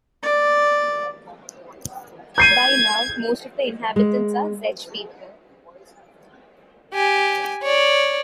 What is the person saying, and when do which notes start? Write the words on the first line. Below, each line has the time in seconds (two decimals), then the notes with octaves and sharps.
By now, most of the inhabitants are Czech people.
0.23 D5
2.38 G6 G#6 C7 D#7
3.96 G#3
6.94 G4 G#5
7.63 C#5 D5